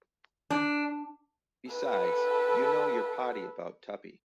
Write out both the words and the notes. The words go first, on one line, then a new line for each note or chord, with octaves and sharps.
Besides, you know you're potty about Tuppy.
D4
A4 B4